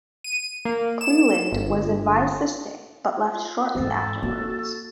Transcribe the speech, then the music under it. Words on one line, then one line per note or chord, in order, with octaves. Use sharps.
Cleland was advised to stay but left shortly afterwards.
D#7
A#3
E7
G1
F4
E2 G#2 A4
A#3 F#4